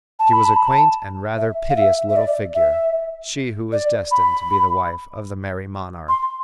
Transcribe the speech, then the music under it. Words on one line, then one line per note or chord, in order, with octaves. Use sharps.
She was a quaint and rather piteous little figure, she who was destined to be the wife of the Merry Monarch.
A5
B5
A5
B5
A5
E5
F5
E5
E5
D5
E5
D5
B5
C6